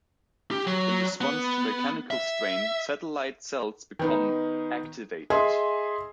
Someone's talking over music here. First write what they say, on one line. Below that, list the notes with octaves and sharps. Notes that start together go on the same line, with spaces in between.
In response to mechanical strain, satellite cells become "activated".
G4
F#3
B3
E5
D#3 B3 D#4
G#4 D#5 E5 G#5 C6